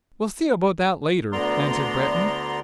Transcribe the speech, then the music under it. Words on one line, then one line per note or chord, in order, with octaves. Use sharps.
"We'll see about that later," answered Breton.
D2 D3 B3 D5 A#5 C6